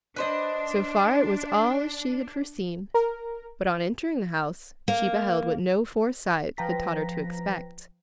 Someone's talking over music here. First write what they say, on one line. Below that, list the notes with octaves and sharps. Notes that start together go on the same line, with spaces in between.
So far it was all as she had foreseen; but on entering the house she beheld what no foresight had taught her to expect.
D4 B4 C5 D#5
A#4
A#3
F3 B4 G5 A#5 A#6 B6